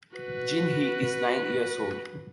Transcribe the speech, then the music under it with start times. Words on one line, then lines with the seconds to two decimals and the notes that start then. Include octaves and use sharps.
Jinhee is nine years old.
0.17 F#4 B4